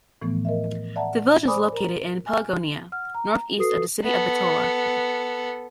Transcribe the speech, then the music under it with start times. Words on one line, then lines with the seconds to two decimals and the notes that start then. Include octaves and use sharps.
The village is located in Pelagonia, north-east of the city of Bitola.
0.22 A2 E3 F3 A3 B3
0.45 A#4 D#5 E5
0.96 D5 E5 F#5 A5 A#5
1.47 C5 D5 G#5 B5 D6 D#6
1.72 A#4 A#5
2.26 G#5 F6
2.92 F#5 F6
3.14 A#5
3.58 F#4 A4 B4 D#6 C7
4.03 B3 A4